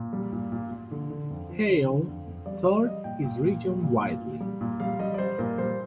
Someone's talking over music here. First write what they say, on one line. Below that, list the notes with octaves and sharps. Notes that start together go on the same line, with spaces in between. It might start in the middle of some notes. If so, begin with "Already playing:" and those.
Hale toured his region widely.
Already playing: A#2
G3
A#2
A#2
A#2
D3
D3
F2
F3
D3
D3
F2
F2
G3 D5
G3 D5
G3 D#5
A#2 G5
A#2 G5
A#2
G3
A#2
A#2
A#2
G3
A#2
G3 F5
G3 D#5
D5
G3 C5
A#2 A#4
G3 C5